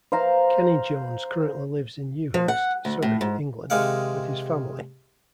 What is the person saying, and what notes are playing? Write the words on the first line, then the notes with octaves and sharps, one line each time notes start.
Kenney Jones currently lives in Ewhurst, Surrey, England, with his family.
C5 F5 A#5
F3
F#5
D2
A2
G#2
C3 D#3 G#3 F5 F#5